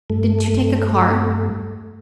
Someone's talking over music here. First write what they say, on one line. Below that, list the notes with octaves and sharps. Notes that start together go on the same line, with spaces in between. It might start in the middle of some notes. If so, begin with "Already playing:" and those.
"Didn't you take a car?"
G2 A3